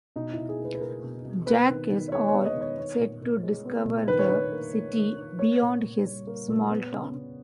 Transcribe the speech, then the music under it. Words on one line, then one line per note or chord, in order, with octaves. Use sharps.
Jack is all set to discover the city beyond his small town.
B2 D#4
E4
B2
G#4
A#3
B4
B4
A#3 A#4
B2
B2
B3 B4
D#3
D#3
G#3 C#5
C#5
B3
D#5
D#3
C#5
B3 C#5
A#2
A#2
G#3
B3
A#2
D#3 B4
C#5
D#3 B4
A#3
A#3
D#3
D#3
A#3 C#5
A#2
A#2
G3
A#3
A#2
B3
C#3
C#3